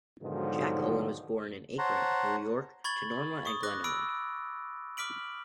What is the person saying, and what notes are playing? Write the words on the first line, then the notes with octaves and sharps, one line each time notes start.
Jack Owen was born in Akron, New York, to Norma and Glenn Owen.
G#2 B2 D3 D#3 F3 F#3
C5 C#5 F#5 A5 A#5 C6
B5 C#6 G#6 A6 F#7
C#6 D#6
D6 F#6 A#6
B5 E6 D7
D6 F6 B6 D7 F#7